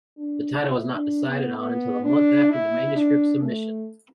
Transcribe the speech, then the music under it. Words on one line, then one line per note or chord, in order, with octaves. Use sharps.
The title was not decided on until a month after the manuscript's submission.
D4
E4
D4
B3
B3
D4
E4
D4
A3